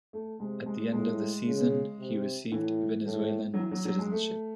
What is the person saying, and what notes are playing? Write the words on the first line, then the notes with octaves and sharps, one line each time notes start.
At the end of the season, he received Venezuelan citizenship.
A3
C3 G#3
G#3
A2 G#3
C#3
C3
A2 E3
A2
F#3
E3
F#3
F#3
G#3
A3